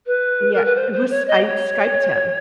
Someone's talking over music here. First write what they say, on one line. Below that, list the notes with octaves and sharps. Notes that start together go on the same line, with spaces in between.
yeah, it was I Skyped him.
B4
A#4
B4
C5
C5
C#5
D#5
C#5